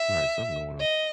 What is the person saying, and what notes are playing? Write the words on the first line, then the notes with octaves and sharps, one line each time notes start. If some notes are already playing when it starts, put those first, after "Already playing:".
Right, something going on.
Already playing: E5
D#5